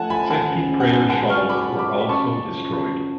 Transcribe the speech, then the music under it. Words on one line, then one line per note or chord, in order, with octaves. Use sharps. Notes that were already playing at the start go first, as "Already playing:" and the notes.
Fifty prayer shawls were also destroyed.
Already playing: F3 A3 F#5 G#5 A5
F3 G#5 B5
F3 F#5 A5
C#2
C#3
F#5
G#2 G#5
G#2 F#5 A5
F#3 C#6 F6
F#3 B5 D6
F4
B5 D6
F#3
B5
C#3 A5 C#6
F#2
F3
F3
F3